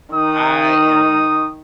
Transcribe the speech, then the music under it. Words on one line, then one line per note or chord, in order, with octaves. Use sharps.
I am
D#3 D#4 D#6